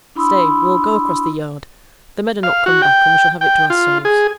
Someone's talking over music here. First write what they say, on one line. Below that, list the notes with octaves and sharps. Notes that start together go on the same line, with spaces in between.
Stay, we'll go across the yard; the men are not come back, and we shall have it to ourselves.
D4 E4 B5 C6 D#6 E6
F5
F#4
G5
G5
F4
G#4